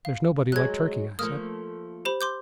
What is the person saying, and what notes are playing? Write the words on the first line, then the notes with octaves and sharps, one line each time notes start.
"There's nobody like Turkey," I said.
F5
F#3 G#3 F#6 G#6
F3 A3 A#3 D#6 F6
G4 C5 B5
C6 D6 G6